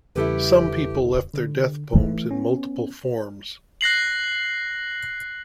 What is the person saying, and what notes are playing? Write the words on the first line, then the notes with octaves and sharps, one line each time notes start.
Some people left their death poems in multiple forms.
E2 C#3 G3 E4 G4 A4 B4
D3
E3 A3
B3 C#4
F#6 A#6 C7 F#7